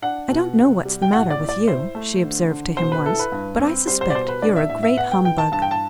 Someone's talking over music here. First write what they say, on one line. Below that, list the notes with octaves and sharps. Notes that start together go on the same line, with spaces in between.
"I don't know what's the matter with you," she observed to him once; "but I suspect you're a great humbug."
D4 F#5
B2
C3
G3
G5
A2 F#5
D5
A2
D5
E4 C5
A3
D3
D3
B2 C5
B4
E4 A4
B4
G2
C4
G3 C5
C5
D5
B2 C5
B4
D4 D5
E5
A2 E5
E5
B3 F#5
G5
E3 G5
A5
G2 A5
G5
A5